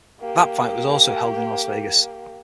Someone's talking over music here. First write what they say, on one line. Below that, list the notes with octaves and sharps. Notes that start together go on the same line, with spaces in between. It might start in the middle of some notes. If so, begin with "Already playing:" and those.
That fight was also held in Las Vegas.
A#3 G4